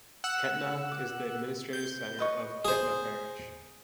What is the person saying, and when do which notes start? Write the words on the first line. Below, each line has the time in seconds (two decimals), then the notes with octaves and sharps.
Kehtna is the administrative centre of Kehtna Parish.
0.24 F#5 E6 F#6
0.92 D6
1.73 G6
2.19 B4 D#5 C#6
2.65 G#4 C5